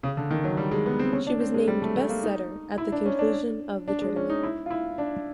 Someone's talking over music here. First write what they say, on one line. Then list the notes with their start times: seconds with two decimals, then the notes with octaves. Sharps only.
She was named "Best Setter" at the conclusion of the tournament.
0.03 C#3
0.17 D3
0.30 D#3
0.44 F#3
0.57 G3
0.72 G#3
0.86 B3
0.99 C4
1.13 C#4
1.27 D4
1.40 C4
1.54 G#3
1.68 G3
1.82 A3
1.96 A3
2.09 A#3
2.23 D#4
2.78 E4
2.92 D4
3.05 C#4
3.19 D4
3.88 D4
4.02 G#3
4.16 C#4
4.30 D#4
4.43 E4
4.66 F4
4.70 E4
4.98 D4